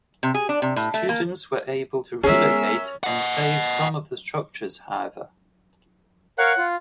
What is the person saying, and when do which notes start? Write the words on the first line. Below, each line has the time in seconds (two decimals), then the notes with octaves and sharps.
Students were able to relocate and save some of the structures, however.
0.23 C3
0.34 G#4
0.49 D4
0.62 C3
0.76 A2
0.94 A3
1.09 A#3
2.23 G#3 B3 C#4 G#4 A#4 E5
3.03 D#5 F#5
6.38 A#4 C#5 F5 F#5
6.58 F4